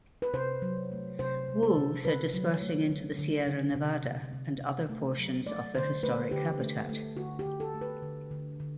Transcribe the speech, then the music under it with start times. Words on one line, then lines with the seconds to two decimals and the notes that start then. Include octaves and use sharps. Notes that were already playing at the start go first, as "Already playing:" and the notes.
Wolves are dispersing into the Sierra Nevada and other portions of their historic habitat.
0.22 B4
0.34 C3 C5
0.62 F#3
0.92 A3
1.19 C3 C5
1.48 C3
1.63 A4
1.77 C3
2.05 D3 B4
2.34 F#3
2.61 A3
2.90 D3
3.19 D3
3.47 D3
3.75 C3
4.04 C3
4.33 C3
4.61 C3
4.89 A3
5.18 F#3
5.46 A3 D5
5.75 D3 C5
6.03 A3 B4
6.31 D3 G4
6.60 A3
6.89 A3
7.17 D3 F#4
7.39 G4
7.46 D3
7.60 A4
7.74 A3
7.81 B4
8.02 D3
8.31 D3
8.60 D3